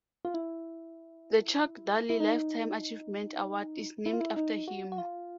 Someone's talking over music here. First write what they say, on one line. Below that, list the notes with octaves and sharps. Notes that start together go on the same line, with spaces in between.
The Chuck Daly Lifetime Achievement Award is named after him.
F4
E4
E4
D#4
E4
F4
E4
D#4
F#4
F#4
F4